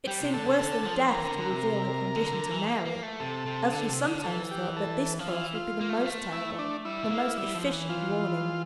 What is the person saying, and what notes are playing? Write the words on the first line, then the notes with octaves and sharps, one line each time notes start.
It seemed worse than death to reveal her condition to Mary, else she sometimes thought that this course would be the most terrible, the most efficient warning.
G3 G4
C3
D3 A4
C3
D3 A4
F3
F3
E3 A#4
D3
D3
C3
D3
D3
E3
A#3
A#3
A3
C3 A4
C3
D3
C3
D3
E3 A4
G4
A4
F3
E3 F4
F4
A#3
A3
G3
A3
E4
D4
G3 E4
A3
A#3
G3
F3
E3
F4